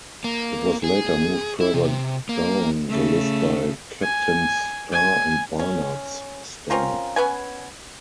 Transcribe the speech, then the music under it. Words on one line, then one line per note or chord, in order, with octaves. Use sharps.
It was later moved further down the list by Kapteyn's Star and Barnard's Star.
A#3
G#4
E4
C3
A#3
C#3 A3
G#5
G#5
C#4
C4 C#4 F4 A#4
B3 C#4 B4 G#5